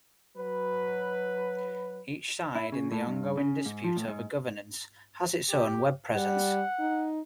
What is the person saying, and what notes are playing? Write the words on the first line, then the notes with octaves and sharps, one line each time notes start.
Each side in the ongoing dispute over governance has its own web presence.
F#3 B4
E4
C#3
A2
G2
C#3
G#2
F3
A2
G#2
G4
G3 F#5
D#4